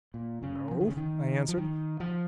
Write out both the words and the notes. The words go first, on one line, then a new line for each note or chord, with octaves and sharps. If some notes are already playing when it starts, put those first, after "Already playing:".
"No," I answered.
A#2
C#3
F3
D#3
C#3
D#3
F3
D#3
F3